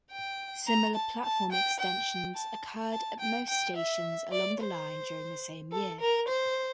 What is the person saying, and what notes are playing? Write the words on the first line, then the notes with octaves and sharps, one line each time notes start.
Similar platform extensions occurred at most stations along the line during the same year.
G5
A#5
A5
A5
G5
G5
A5
A5
G5
G5
E5
D5
C5
A4
A#4
C5